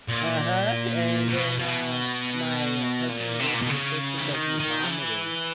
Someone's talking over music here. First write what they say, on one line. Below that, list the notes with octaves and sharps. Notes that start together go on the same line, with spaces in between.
Uh-huh, and then, uh, my cousin David was so sick that he vomited,
A#2
B2
B2
A#2
C3
B2
A#2
B2
C#3
E3
D#3
D#3
F3
E3